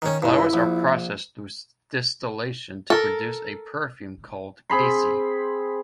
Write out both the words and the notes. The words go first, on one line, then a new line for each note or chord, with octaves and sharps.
The flowers are processed through distillation to produce a perfume called Cassie.
D#3 C#4
C#2 G2 E4
A#1
A4 A#4
C4 G#4 B5 C6